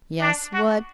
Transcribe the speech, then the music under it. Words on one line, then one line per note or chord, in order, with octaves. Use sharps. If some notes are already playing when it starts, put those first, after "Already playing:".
"Yes, what?"
D4
F#4